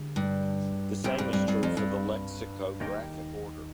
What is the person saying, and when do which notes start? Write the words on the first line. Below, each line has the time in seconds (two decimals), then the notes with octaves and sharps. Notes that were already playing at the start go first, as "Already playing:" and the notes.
The same is true for the lexicographic order.
Already playing: D3 G#3 G4
0.16 G2
1.04 C2 G2 C3 G3 C4 G4
1.18 G2
1.33 G2
1.48 G2
1.63 F2
1.77 G2
2.80 D#2 D#3 A#3 D#4 G4